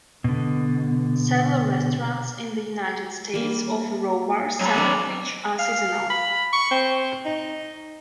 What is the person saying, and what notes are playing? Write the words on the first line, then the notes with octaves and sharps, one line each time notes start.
Several restaurants in the United States offer raw bars, some of which are seasonal.
B2 D3
G3 A#3
F#3 B5
C4 D4
F5
B5
C#6
C4
D#4